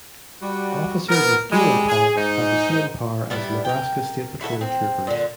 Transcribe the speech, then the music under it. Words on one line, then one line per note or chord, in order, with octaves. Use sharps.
Officers with Game and Parks have the same power as Nebraska State Patrol Troopers.
G3 F#4
B3 A#4
G3 G#3
G#4
G#2 D#4
G3 B3 D4 E4
A#4 G5
E4 F#4 A4 E5
C4
A#2 D3